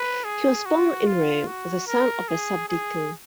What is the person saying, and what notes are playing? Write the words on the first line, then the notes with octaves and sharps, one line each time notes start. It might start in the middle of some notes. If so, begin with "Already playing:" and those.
He was born in Rome, the son of a subdeacon.
Already playing: B4
G#4
F#4
F4
F#4
A#4
G#4
G#4